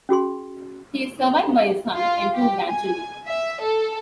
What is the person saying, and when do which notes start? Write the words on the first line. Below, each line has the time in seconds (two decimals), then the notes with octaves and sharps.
He is survived by his son and two grandchildren.
0.09 C#4 F#4 G#4 C6
1.96 F4
2.35 G4
2.69 G#5
3.27 E5
3.62 A4